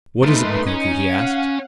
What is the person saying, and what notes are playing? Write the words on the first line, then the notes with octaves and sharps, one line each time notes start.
"What is it, Mukoki?" he asked.
A3 D#4 A#4 B4 C6
C#4 D#4
F5 F#5